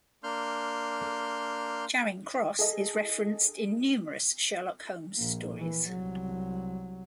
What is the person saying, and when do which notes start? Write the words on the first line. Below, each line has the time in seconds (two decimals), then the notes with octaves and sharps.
Charing Cross is referenced in numerous Sherlock Holmes stories.
0.23 A#3 D4 C6 F6 G6
2.59 G#4 A4 D#5
5.16 A#1 A#3
5.57 E3
5.88 C2 F#3